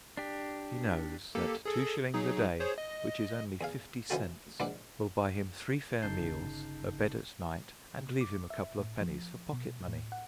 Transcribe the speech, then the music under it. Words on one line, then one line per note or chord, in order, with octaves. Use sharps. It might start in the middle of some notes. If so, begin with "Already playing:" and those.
He knows that two shillings a day, which is only fifty cents, will buy him three fair meals, a bed at night, and leave him a couple of pennies for pocket money.
D4 G4
A#3 G4 A4
G#4 A4
F#3 D#4 G#4
G#4 C5 C#5
D#5
E2 G#4 F5
E3 F3 C#4 D#4 F#4 A4
A#1 G#2 E3 D4 F#5 D6
G1 C#3 D#4 A5 G6 C7
C3
D6
E5
A2
F3
B2
A2
F#5